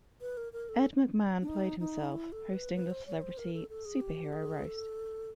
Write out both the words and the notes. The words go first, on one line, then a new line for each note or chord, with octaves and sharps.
Ed McMahon played himself, hosting the celebrity super-hero roast.
B4
A#4
A#4
A4
D4
D#4
D#4
E4
A4
B4
B4
C5
C#5
C5
A#4
A4
A4
G#4
G4
G#4
A4